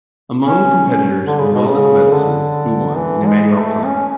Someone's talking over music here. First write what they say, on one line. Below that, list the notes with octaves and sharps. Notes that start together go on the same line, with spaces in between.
Among the competitors were Moses Mendelssohn, who won, and Immanuel Kant.
C#4
D3
C#3
B2
C#3
D3
E3
G#3
A3
C#4